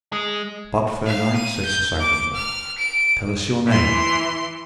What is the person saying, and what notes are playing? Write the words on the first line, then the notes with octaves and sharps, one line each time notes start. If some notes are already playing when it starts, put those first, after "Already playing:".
But, fair knight, said Sir Sagramore, tell us your name.
G#3
F5
D#7
G6
D6
F6
D7
E3 C6